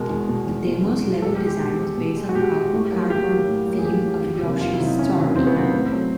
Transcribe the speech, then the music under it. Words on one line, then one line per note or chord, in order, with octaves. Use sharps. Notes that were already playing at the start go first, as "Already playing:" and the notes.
The demo's level design was based on the colorful cardboard theme of "Yoshi's Story".
Already playing: B2 G#3 A#4
E2
B2 G#3
E2
B2 G#3
E2
B2 G#3
B2 A4
G4
G#3
G4
B2
G#3
B2
G#3
F#4
B2 G4
G#3
A2
F#3 A#3
A2 G4
F#3 A#3
A2
F#3 A#3
G#4
A2 G4
F#3 A#3
E2
C3 D#3 F#3 A#3
E2 F4
E4
C3 D#3 F#3 A#3
D#4
E2 C#4
C3 D#3 F#3 A#3
E2 C4
B3
C3 D#3 F#3 A#3 C4
A2
F#3 A3